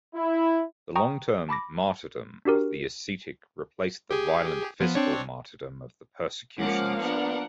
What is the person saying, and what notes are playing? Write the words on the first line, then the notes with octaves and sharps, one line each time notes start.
The long-term "martyrdom" of the ascetic replaced the violent physical martyrdom of the persecutions.
E4
G5 A#5 C#6 D#6
A5 B5 D6 A#6
D4 F#4 G4 A#4
G4 G#4
F3 B3
C4 D4 C#5
F3 G#3 A#3 C#4 F5 F#5 D6
B3 D4 A#4 C#5 F#5